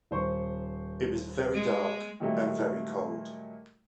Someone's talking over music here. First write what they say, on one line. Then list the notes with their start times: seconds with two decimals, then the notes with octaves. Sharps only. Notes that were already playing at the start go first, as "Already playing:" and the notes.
It was very dark and very cold.
0.11 D#1 C5 C#6
1.54 G#3
2.20 A#2 D#3 F#3 G3 A3 A#3